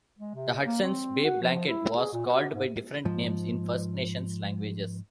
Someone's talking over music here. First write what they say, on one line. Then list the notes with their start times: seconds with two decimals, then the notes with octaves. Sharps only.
The Hudson's Bay blanket was called by different names in First Nations languages.
0.19 G#3
0.35 C3
0.66 A#3
0.83 C4
1.24 F#4
1.42 F3
1.68 E4
1.97 G#4
2.13 A#2
2.26 F#4
2.54 G#2
3.05 G#2 F3